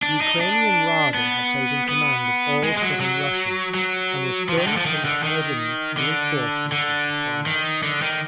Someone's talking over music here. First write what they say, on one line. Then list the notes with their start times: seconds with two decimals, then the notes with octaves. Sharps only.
The Ukrainean Rada had taken command of all southern Russia, and was furnishing Kaledin reinforcements and supplies.
0.02 D4
0.21 D#4
0.41 D4
1.14 B3
1.89 B3
2.63 G#3
2.77 G#3
2.82 F#3
3.00 F#3
3.75 F#3
4.49 F3
4.58 D#3
4.67 D3
4.77 F3
4.86 D#3
5.05 D3
5.23 D#3
5.97 D3
6.72 D3
7.46 D#3
7.83 D3
8.02 D#3